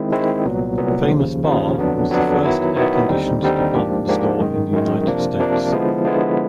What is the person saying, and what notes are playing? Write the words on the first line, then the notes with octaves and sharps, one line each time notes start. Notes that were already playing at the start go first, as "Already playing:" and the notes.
Famous-Barr was the first air conditioned department store in the United States.
Already playing: D#3 G#3 C4 E4
D#3 G#3 C4 E4
C2 A#2 F#3 B3
C2 A#2 F#3 B3
D#2 C#3 F3
D#2 C#3 F3
F2 D3 F#3 B3 D4
F2 D3 F#3 B3 D4
D#3 F#3 B3 E4
D#3 F#3 B3 E4
D#2 D3 G3 C4 D#4
D#2 D3 G3 C4 D#4
G#2 F3 A#3 D4 G4
G#2 F3 A#3 D4 G4
F#2 D#3 G#3
F#2 D#3 G#3
C3 F3 A#3 D4
C3 F3 A#3 D4
D3 F3 G#3 B3 E4
D3 F3 G#3 B3 E4